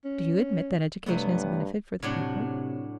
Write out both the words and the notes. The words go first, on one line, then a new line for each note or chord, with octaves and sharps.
"Do you admit that education is a benefit for the people?"
C#4
G2 C3 F#3 A3 B3
A2 C3 F#3 D4